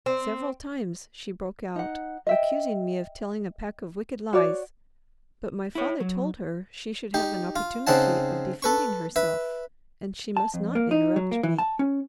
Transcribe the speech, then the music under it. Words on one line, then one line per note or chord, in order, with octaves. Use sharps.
Several times she broke out, accusing me of telling a pack of wicked lies, but my father told her she should have an opportunity of defending herself, and she must not interrupt me.
C4
D#4 F#5
D#5 E5 G5
F#4 C#5 D5
E4 C#5
F#3
D#4 G4
F4
C#3 C4 D#4 F#5 A5
A4 B4 C#6
B4 E5
A5
F2
A#3
D#4
F#3
A#3
E3
A5
C#4